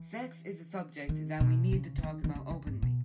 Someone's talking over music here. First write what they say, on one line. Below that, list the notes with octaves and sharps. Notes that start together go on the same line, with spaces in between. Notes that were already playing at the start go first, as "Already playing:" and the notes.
Sex is a subject that we need to talk about openly.
Already playing: E3
D#3
B2
C#3
C#3
D#3
D#3
C#3
E2
G#2
B2